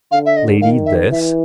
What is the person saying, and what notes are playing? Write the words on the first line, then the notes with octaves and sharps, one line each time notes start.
Lady this.
D3 F5
E5
D#5
D#3 F5
E5
E3 E5